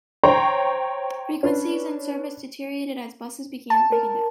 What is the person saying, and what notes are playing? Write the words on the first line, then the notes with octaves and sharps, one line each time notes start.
Frequencies and service deteriorated as buses began breaking down.
C5 C#5 G5 A#5 C6 C#6
C#4 D4 B4
A5
A#4